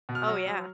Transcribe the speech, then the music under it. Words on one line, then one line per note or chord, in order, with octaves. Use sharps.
Oh, yeah.
B2
F6
F#3
F#3